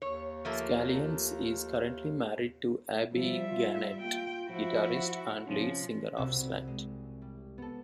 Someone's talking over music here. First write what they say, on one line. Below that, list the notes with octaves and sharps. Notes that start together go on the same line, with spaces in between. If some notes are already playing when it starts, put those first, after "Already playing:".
Scallions is currently married to Abby Gennet, guitarist and lead singer of Slunt.
D#2 C#5
F3 A3 A#3
F3 G3 E5
F4
A#3 F4 G5
F3 E4 F#4
C3 F3 C#4
C2 C3 F#4 E5 F#6
G#3
G3
B3 A4